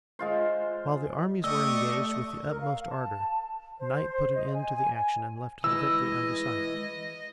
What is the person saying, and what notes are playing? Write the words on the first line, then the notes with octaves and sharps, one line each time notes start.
While the armies were engaged with the utmost ardor, night put an end to the action and left the victory undecided.
G#3 F4 C5
A3 G4 D5 D#5 C#6 E6
A#4
F5
A5
C5
D#5
G#5
E3 G#3 D#5 E6